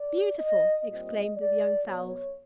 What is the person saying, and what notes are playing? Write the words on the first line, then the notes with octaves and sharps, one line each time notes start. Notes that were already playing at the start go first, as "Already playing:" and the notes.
"Beautiful!" exclaimed the young fowls.
Already playing: D5
D#5
A#2 G3 C4 D#5
D5
B2 F#3 B3 C#5